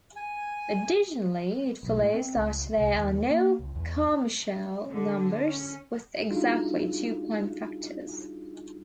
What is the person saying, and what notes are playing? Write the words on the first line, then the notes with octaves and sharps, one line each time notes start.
Additionally, it follows that there are no Carmichael numbers with exactly two prime factors.
G#5
B1
A2
C4
C#2
C2
D#2
A#3
C#2
E2
D3
C#4
G3 D4 D#4 F4 F#4 G#4